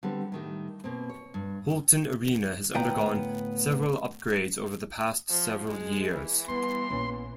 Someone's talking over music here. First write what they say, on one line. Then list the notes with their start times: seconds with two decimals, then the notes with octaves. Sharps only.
Halton Arena has undergone several upgrades over the past several years.
0.03 D3 G3 B3 C4
0.32 A2 D#3 G3
0.84 B2 A#3 C4
1.09 C#5
1.34 G2
2.74 D2 A2 B3 F5 G5 A#5
5.30 F3
5.68 G#3
6.14 E3
6.48 G3 B3 C6
6.90 A#1 B3 C#4